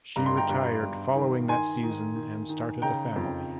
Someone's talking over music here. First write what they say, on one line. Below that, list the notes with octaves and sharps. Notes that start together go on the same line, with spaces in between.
She retired following that season and started a family.
G2 A#5
C6
G5 A#5
G2
G2
D#3
D#3 G#5 C6
D#3
D#3
D#3
C#3 G5 A#5
F2